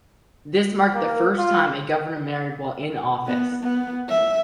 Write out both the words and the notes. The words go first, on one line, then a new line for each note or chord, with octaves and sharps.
This marked the first time a governor married while in office.
A#3
F4
B3
B3
E5